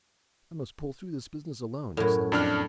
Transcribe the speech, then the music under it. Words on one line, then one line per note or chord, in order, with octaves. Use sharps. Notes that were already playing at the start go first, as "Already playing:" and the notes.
I must pull through this business alone,' he said.
F#2 A2
F2 D4 F6